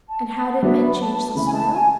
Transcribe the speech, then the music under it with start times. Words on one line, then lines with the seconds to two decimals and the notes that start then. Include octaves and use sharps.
And how did men change the soil?
0.09 A5
0.27 A5
0.45 F#5
0.63 F#3 B3 D4 F#4 E5
0.81 B5
1.00 A5
1.35 C#3 E3 A3 E4 B5
1.47 G#5
1.53 A5
1.71 G#5